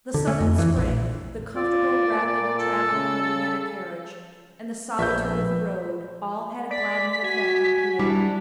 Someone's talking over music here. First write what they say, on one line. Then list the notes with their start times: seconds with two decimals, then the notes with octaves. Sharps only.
The southern spring, the comfortable rapid traveling in a Vienna carriage, and the solitude of the road, all had a gladdening effect on Pierre.
0.14 D3
0.27 A3
0.40 F2
0.59 E3
0.76 A#1
1.56 F4 D5
2.09 A#2
2.59 A4
2.91 C#3
4.99 A#1 F3 A3 B3 B4 E5 G6
6.71 D5 B6
7.24 F#4 G#5
7.99 G3 D4 E4 A#5